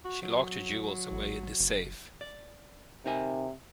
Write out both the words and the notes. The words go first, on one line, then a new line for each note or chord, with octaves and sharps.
She locked her jewels away in this safe.
F#4
F#3
A1
F#1
D5
C3 D#4 A#4 G#5